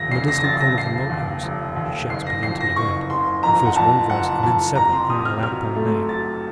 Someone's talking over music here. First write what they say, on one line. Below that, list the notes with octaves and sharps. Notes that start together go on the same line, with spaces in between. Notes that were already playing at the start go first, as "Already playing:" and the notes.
From a distant corner of the Moat House shouts began to be heard, and first one voice, and then several, crying aloud upon a name.
Already playing: F1 D#2 A#6
C#3 C7
A#6
A#6
F1 A6
A#6
F1 C7
D#2
F1
D#2
F#1 C7
A#6
F2 C7
A#6
F#1 C#6
F#1 C6
F2 A#5
F#5
F2 A5
F#1 F#5
F2 A5
C3 A#5
C6
C3 D#6
F6
F#3 F6
A3
F#3 A6